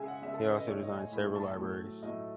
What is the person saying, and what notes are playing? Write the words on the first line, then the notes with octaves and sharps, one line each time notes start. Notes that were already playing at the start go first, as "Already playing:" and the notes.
He also designed several libraries.
Already playing: C#3 G#3 E5 G#5
F#5
C#3 G#3 E5
A4
B4
D#5
A2 G#3 C#5
D#5
G#5
A2 G#3 B5
A5
A2 F#3 A3
A2 F#3 A3 D#5